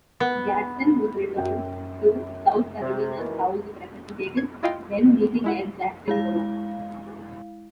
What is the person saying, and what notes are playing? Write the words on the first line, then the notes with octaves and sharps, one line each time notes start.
Gadsden was returned to South Carolina's House of Representatives, then meeting at Jacksonboro.
B3
F#2 G5
C3
F#2 D#3 E3
G#6
E4 F4 D#5 F5 G5 C6
G#3 E4 F#5
G#3 E4 F5